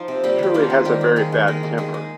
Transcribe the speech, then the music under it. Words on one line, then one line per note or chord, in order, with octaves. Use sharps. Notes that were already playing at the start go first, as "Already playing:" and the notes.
Shirley has a very bad temper.
Already playing: F3 D#4 F4
C3
G3 A#3 G4
D#3 G4
F3 A#3 F4
D#3
D#3 G3 G4
A#3
D#3 G#3 G#4
D#3
G#3 A#3 A#4
D#3
D#3 G#3 G#4
G#3